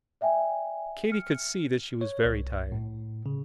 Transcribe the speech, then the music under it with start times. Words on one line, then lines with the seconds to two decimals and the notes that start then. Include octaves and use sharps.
Katy could see that she was very tired.
0.21 D5 E5 G5 G#5
1.10 F6 C#7
2.01 C#5
2.25 C2
2.72 A2
3.26 C#3